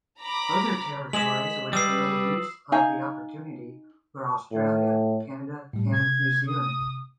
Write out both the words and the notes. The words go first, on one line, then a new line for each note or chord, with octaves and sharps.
Other territories which made use of the opportunity were Australia, Canada and New Zealand.
A#5 B5 D6
G#3 G#4 D#5 B6 E7 F#7
G3 B4 D#6 E6 C7
D#4 F5 G#5
A2
A2 G3
C3 G#6
D#6